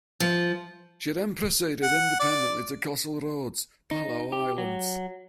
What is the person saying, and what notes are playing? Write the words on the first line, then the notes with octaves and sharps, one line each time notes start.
She then proceeded independently to Kossol Roads, Palau Islands.
F3
F#5
D5
D#4
G4
F#3